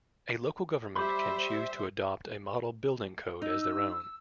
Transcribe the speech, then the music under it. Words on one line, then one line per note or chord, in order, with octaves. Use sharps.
A local government can choose to adopt a model building code as their own.
G3 G4 C5 E5 B5
D#4 E6